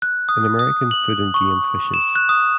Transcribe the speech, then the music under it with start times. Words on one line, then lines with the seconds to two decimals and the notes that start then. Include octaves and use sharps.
In American Food and Game Fishes.
0.02 F#6
0.29 D#6
0.59 D#6
0.91 F#7
1.34 C#6
1.94 E7
2.15 F#6
2.29 D#6